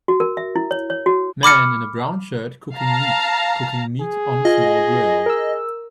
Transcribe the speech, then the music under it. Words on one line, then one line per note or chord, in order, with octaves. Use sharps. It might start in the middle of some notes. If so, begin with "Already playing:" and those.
Man in a brown shirt cooking meat cooking meat on a small grill.
F#4
A#4
E5
E4
C#5
C#5
F#4
B5 D6 F6 C#7
F5 A5 A#5
G#4
F4 D#5 G#5
A#4 E6